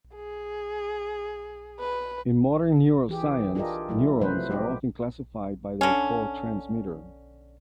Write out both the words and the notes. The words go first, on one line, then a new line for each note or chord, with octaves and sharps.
In modern neuroscience, neurons are often classified by their cotransmitter.
G#4
B4
E3 G4 G#4
D4 F4 G4 G#4 A#4 D#5
F#3 A3 E4
C3 F3 F#3 A3 B4 C5
G4 D#5
D3 C#4